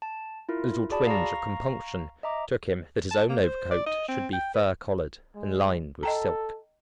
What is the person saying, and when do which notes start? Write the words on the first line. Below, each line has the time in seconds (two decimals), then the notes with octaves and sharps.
A little twinge of compunction took him that his own overcoat should be fur-collared and lined with silk.
0.02 A5
0.49 E4 F4 A#4
0.91 F#4 G#4 D5 A5 B5
1.07 F5 A#5 C#6 A#6
2.23 D#5 E5 A#5 D6
3.11 A5
3.30 A#3
3.42 C5
3.71 D5
3.86 D#5
4.08 C4
4.33 G5
4.54 B4
5.35 G#3
6.03 A4 D#5 G5 A#5